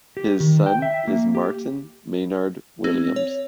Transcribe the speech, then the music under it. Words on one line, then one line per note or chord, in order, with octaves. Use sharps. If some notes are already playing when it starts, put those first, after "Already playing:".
His son is Martin Maynard Williams.
G4
D#3
G5
E5
A#3
G4
C4
C#5